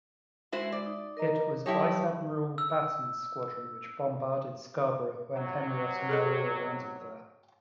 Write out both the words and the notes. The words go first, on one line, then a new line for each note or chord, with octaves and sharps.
It was Vice-Admiral Batten's squadron which bombarded Scarborough when Henrietta Maria landed there.
G#3 E4 F#4 C5
D5
D#4
A#4 D#5 A#5
F#3 E4 G4 C#5 A5 D#6
E6
C3 F#3
G#4 A4 D#5